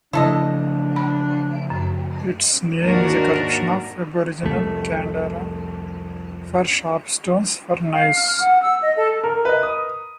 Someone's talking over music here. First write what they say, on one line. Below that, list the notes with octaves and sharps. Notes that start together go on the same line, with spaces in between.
Its name is a corruption of Aboriginal 'Gianderra' for 'sharp stones for knives'.
C#3 F3 A3 D4 E4 A4 D#5
B5
F#2
D#2 G#2 D4 F#4 A#4
C2 F2 A3
F5
F6
F#5
E6
D#5
A4
A#4
B4 D#5
D#6